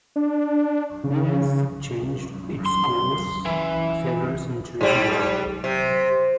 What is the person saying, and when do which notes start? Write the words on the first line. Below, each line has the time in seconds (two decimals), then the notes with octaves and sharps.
Beas changed its course several centuries ago.
0.16 D4
1.04 C#3
2.66 C6
3.45 E3
4.81 G#2 G3
5.64 C3